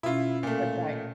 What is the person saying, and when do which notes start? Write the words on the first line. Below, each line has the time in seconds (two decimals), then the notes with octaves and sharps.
That's right.
0.03 B2 C#4 E4 F4
0.43 A#2 A3
0.58 F5